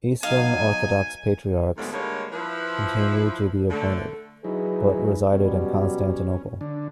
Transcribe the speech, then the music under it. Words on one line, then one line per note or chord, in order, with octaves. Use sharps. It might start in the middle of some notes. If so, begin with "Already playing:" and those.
Eastern Orthodox Patriarchs continued to be appointed, but resided in Constantinople.
B2 F#3 D#4 F5 G#5
D#2 G#2 D3 F3 A3 B3
D3 G3 G#3 A#3 C#5
F3 E4 B4
D3 A3
F#3 D#4 E4 G#4 B4
B2 F#3 G3 C#4
D3 D4